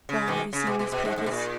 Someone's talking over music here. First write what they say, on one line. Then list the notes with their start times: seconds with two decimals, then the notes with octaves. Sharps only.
"Where have you seen these papers?"
0.09 C#3
0.28 B2 D#3
0.53 C#3
0.67 B2
0.79 B2
0.92 B2
1.05 G#2
1.18 G#2
1.26 B2
1.31 A#2